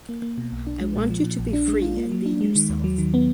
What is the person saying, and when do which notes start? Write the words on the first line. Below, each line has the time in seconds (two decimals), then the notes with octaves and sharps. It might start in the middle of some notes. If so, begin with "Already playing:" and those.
I want you to be free and be yourself.
0.09 A#3
0.22 A#3
0.38 B2
0.52 B1
0.67 D4
0.81 G#3
0.95 A#2
1.10 F3
1.24 A#2
1.39 A#1
1.53 D4
1.68 G#3
1.82 F4
1.97 A#3
2.12 F#3
2.26 D4
2.41 G#3
2.56 D#3
2.70 D#2
2.84 F#3
2.98 D#3
3.14 B3